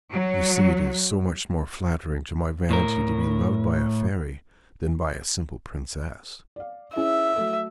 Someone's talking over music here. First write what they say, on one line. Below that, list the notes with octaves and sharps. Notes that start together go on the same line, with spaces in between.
You see it is so much more flattering to my vanity to be loved by a fairy than by a simple princess.
F#3
A2 A#4
D5 F5
C#4 E4 G#4 E5
F#3 A3 A4